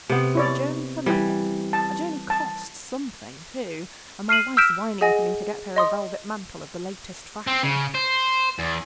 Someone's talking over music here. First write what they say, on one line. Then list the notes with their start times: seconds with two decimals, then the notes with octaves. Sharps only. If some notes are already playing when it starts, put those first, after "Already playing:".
A journey for nothing; a journey costs something, too, and my wife's whining for me to get her a velvet mantle of the latest fashion.
0.10 C3 B3
0.35 E4 C#5 D5
1.06 E3 G3
1.73 A5
2.30 A5
4.29 F6 C7 D#7 F#7
4.57 E6 F6 G6 B6 D7 E7
5.01 G#4 D#5 F#5 G#5 A#6
5.76 D#5 C6 D#6
7.47 C4
7.63 C#3
7.94 C5
8.59 E2